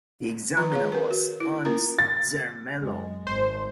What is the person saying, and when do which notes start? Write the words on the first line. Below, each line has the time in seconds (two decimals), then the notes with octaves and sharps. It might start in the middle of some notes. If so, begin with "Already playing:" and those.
The examiner was Ernst Zermelo.
0.57 D#3 F3 F4 B4 A#5
0.72 G#4 C#5 F5
0.92 A#4 B4
1.11 F#4
1.40 E4
1.65 A#3 C#4 F4 A#4 A#5
1.99 A6
2.79 F#2 G#3
3.27 G#1 C5